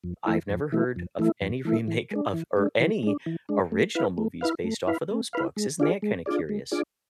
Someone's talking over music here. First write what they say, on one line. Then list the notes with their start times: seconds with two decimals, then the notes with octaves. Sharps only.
I've never heard of any remake of or any original movies based off of those books, isn't that kinda curious?
0.04 F2
0.26 E3 A3 E4
0.50 F2
0.72 E3 A3 E4
0.96 F2
1.19 E3 A3 E4
1.41 F2
1.65 E3 A3 E4
1.88 E3
2.11 G#3 D4
2.33 E3
2.57 G#3 D4
2.80 E3
3.03 G#3 D4
3.26 E3
3.49 G#3 D4
3.72 A3
3.95 E4 B4 F5
4.18 A3
4.41 E4 B4 F5
4.64 A3
4.87 E4 B4 F5
5.11 A3
5.33 E4 B4 F5
5.56 G#3
5.80 D4 F4 G#4 D5
6.02 G#3
6.26 D4 F4 G#4 D5
6.49 G#3
6.72 D4 F4 G#4 D5